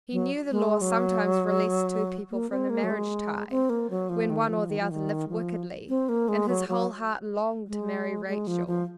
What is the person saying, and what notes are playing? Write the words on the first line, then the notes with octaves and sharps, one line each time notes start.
He knew the law sometimes released two people from the marriage tie when one or the other lived wickedly, and his whole heart longed to marry Rachel.
F#3
G#3
F#3
A#3
C4
A#3
F#3
G#3
C4
A#3
F#3
F3
D#3
F3
D#3
F3
D#3
F3
C4
A#3
G#3
F#3
F#3
G#3
G#3
F3
F3